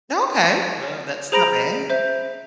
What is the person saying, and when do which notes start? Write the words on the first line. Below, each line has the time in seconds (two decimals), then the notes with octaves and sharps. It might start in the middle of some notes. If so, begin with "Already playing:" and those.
Okay, well, that's not bad
1.32 G#4 C5 A#5 B5 A#6 D7
1.90 C5 E5 G6